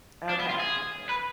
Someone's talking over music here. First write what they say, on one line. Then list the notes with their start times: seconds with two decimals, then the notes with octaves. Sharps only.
Okay. Gotcha.
0.29 D4
0.39 B3
0.49 F4
0.60 G#4
1.09 B4